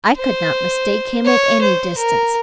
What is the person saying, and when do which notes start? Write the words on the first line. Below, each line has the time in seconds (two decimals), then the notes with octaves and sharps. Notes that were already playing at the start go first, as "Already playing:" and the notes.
I could not mistake him at any distance.
0.17 C5
1.25 C#5
1.62 C5
1.98 A#4